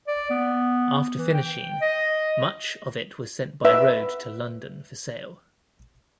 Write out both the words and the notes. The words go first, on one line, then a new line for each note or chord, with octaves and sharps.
After finishing, much of it was sent by road to London for sale.
D5
B3
E3
G5
D#5
B4 E5